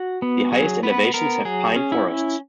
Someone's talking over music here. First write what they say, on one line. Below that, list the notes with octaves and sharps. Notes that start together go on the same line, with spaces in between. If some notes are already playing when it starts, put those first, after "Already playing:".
The highest elevations have pine forests.
Already playing: F#4
B3
F#3 G#4
B3 B4
B3 A#4
F#3 G#4
C#4
E4
C#4